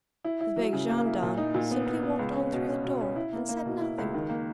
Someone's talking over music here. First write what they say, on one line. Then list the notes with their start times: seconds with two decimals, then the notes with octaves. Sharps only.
The big gendarme simply walked on through the door, and said nothing.
0.24 E4
0.41 E4
0.56 F#3
0.73 C#3
0.89 A#3
1.05 E4
1.22 A#2
1.37 D#4
1.54 A#2
1.71 B3
1.86 B3
2.03 B3
2.19 C#2
2.36 C#4
2.52 B2
2.68 C#4
2.84 B2
3.01 C#4
3.16 E4
3.33 A#3
3.49 A#3
3.65 B2
3.81 E4
3.98 C#2
4.14 D#3
4.29 A#3